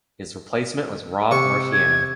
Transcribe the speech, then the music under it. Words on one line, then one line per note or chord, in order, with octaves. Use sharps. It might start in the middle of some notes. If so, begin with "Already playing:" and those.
His replacement was Rob Marciano.
C3 C#6 C#7
G#6